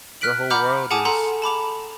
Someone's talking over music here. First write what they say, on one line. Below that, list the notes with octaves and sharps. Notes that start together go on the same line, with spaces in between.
their whole world is
F6 F#6 B6 D7 F#7
F#5 A#5 B5 D6 F6 G6
G#4 F#5 G#5 A5 D6 D#6
A4 F#5 A#5 C6
A5 B5 D6 F7